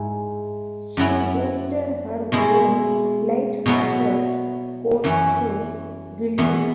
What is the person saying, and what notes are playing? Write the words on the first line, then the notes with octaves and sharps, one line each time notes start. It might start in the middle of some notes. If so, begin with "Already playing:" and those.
She hosted her own light-hearted court show, Guilty!
Already playing: G#2 G#3 E4
F#2 F#3 E4
B2 G#3 E4
B2 F#3 B3 E4
F#2 E3 C#4 E4
E2 B2 B3 E4